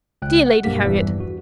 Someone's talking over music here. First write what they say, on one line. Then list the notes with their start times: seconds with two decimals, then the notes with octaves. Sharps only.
Dear Lady Harriet!
0.22 C#2 G5 F#6
0.46 F#5
0.64 B1 G2 A#3 G4 B6
0.85 A#1 E2 G2 E3 G3
1.20 F#4